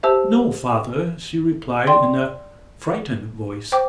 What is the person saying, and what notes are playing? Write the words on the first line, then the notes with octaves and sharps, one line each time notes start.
"No, Father," she replied in a frightened voice.
G4 C5 E5 A5 E6
D5 G5 C6
C5 G5 D6